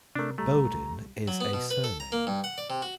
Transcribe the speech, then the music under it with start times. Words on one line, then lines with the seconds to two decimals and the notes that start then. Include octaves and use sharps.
Bodin is a surname.
0.15 C3 A3 D4 A#4
0.38 B1 G3 A3 A#5
1.28 F#3
1.41 B3
1.53 B2
1.70 B4
1.84 A4
2.00 A#5
2.12 A#3
2.27 G2
2.44 F#5
2.58 D5
2.70 C3
2.82 F#4